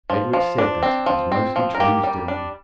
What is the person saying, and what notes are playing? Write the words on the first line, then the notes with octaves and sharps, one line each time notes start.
Edred said that it was mostly True's doing.
F3
F3
D4
C4
F3
C4
F3
A#4
A#3 G4
G3
D4